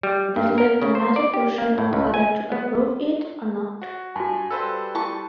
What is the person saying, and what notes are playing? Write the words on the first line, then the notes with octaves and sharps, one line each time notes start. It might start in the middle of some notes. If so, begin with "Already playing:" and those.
That left the major question of whether to approve it or not.
G3
G2
A#4
C#3
C5
D5
G4
A#3
A2
C#2
G#5
B3
F#4
G2 F#4 G#5 A5
G3 A4 B4 C5 F5 E6
E4 A5 C#6